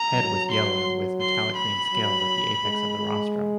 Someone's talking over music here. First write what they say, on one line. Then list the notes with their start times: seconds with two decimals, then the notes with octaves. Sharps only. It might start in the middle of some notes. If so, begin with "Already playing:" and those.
Head with yellow and with metallic green scales at the apex of the rostrum.
Already playing: A#5
0.15 F#3
0.51 C6
1.21 C6
1.57 B5
1.92 F#3
2.63 G#3
2.99 G#3